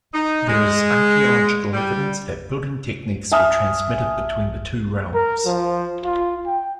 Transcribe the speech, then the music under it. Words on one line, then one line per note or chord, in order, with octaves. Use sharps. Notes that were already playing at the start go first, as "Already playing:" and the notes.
There is archaeological evidence that building techniques were transmitted between the two realms.
D#4
G#3
G3
E5 G#5 A5 D#6 F6
A#4
F3
F4
G5